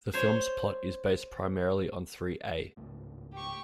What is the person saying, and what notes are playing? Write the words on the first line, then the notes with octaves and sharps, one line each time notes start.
The film's plot is based primarily on three A.
C5 C#5
G#1 C#2 A2
G4 C#6